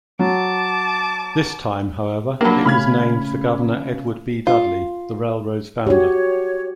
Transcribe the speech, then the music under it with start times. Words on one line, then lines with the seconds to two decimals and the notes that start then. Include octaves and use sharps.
This time, however, it was named for Governor Edward B. Dudley, the railroad's founder.
0.19 F#3 A5 D6
2.41 F#3 A#3 D4 A5 B5
2.65 C#3 A3 C#4 B5 F6 G#6
4.47 F4
5.87 F#4 G4 C#5